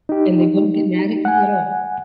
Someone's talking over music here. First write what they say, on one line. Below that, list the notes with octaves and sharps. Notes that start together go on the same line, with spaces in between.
And they wouldn't get mad at you at all.
D#4 G4
F#5 G#5